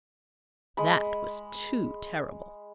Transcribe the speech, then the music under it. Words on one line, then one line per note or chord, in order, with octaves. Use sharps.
That was too terrible!
G#3 B5